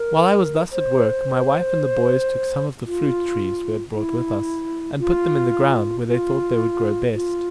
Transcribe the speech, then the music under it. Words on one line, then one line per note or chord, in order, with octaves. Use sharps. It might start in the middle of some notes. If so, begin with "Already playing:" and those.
While I was thus at work, my wife and the boys took some of the fruit trees we had brought with us, and put them in the ground where they thought they would grow best.
Already playing: A#4
C5
F4
E4
F4
F4
F4